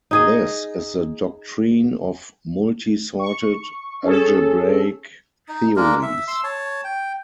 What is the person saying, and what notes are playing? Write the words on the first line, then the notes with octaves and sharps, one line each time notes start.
This is the doctrine of multi-sorted algebraic theories.
D#4 G#4 D#5
C#6
C#4 G#4 A4
D#4
G#3 A#3 D4 A#4
E5
C6 E6
C#5 A5
G5